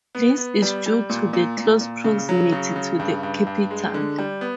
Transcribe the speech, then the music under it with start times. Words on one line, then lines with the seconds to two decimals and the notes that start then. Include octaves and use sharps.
This is due to the close proximity to the capital.
0.15 B3
0.38 B3
0.62 G3
0.86 G3
1.10 A#2
1.33 A#2
1.58 A#2
1.81 A#2
2.04 C#3
2.29 F#3
2.52 C#3
2.76 C#3
2.99 G2
3.23 G2
3.47 G2
3.71 G#3
3.94 D3
4.19 G3
4.41 B3